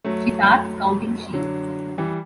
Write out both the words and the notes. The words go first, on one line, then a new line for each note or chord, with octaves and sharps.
She starts counting sheep.
F#3 A3
D3 F#3
E3 G3